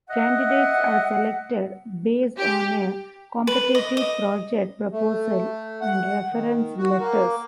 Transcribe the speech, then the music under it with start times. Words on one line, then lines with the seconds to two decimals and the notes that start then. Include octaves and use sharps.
Candidates are selected based on a competitive project proposal and reference letters.
0.11 D#5 E5 F#5
2.37 G4
3.47 B4
3.75 D#5
3.97 D#5
4.92 A3
5.81 F#5
6.31 D#3
6.77 F#4
6.99 A#3